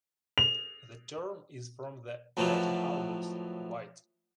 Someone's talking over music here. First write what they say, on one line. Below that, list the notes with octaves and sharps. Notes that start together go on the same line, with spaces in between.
The term is from the Latin "albus", "white".
F7
F2 A2 E3 F#3